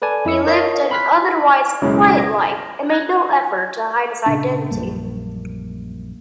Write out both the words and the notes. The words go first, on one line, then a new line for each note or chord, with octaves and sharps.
He lived an otherwise quiet life and made no effort to hide his identity.
A4 B4 D5 G#5 A5
F2 E4 D#5 E6 C#7
A#4 C#5 D#5 F5 A5
B5 C6 F6 F#6 B6
B1 F#2 C#3 G#3 E4 C#5
A#6
F#6 G#6 A#6
A#2 C#3 D4
A#1 F#2 G3 A#3